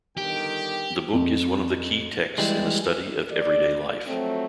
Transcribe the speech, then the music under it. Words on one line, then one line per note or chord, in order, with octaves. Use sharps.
The book is one of the key texts in the study of everyday life.
G1 D#3 G4 G5
F2
E3 G3 G#3
D5
F3 F#3 A3 C4